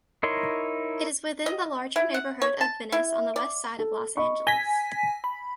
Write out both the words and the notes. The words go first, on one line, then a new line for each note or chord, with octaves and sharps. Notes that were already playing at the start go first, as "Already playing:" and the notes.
It is within the larger neighborhood of Venice on the westside of Los Angeles.
D#4 E4 A#4 C#5 C6
D#5
E4
F#5
C#5
A5
E4
D5
A4
D#5 B5 C#6
G#5 A#6 B6 G7
B5